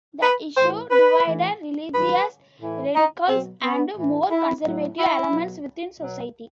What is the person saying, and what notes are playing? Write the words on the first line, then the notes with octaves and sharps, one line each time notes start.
The issue divided religious radicals and more conservative elements within society.
B4
A2 E3 C5
B4
A2 E3
G2 D#3 F#3 B4
A2 E3
D#4
B2 F#3 C4
B3
A2 E3
E4
A2 F#3
E4
B2 F#3
B2 F#3